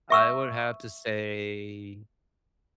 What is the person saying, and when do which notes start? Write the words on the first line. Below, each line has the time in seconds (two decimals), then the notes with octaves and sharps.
I would have to say,
0.10 E5 C#6 E6